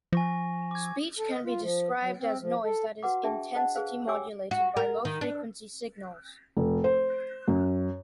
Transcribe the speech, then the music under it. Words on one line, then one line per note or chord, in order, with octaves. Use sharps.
Speech can be described as noise that is intensity-modulated by low-frequency signals.
F3 G#5 C#6 A#6
D6 G#6
A4
D#5
F4
F3
F#3
C4
F3
A4
F#4 B4 F#5 D6
D4 G#4 E5 G5 A5
C5 D#5 F#5 A5
G#4 B4 C5 F5
G4 C#5 G5 G#5 D6 E6
F#4
A#4
D#3
D4
F1
C5
F#2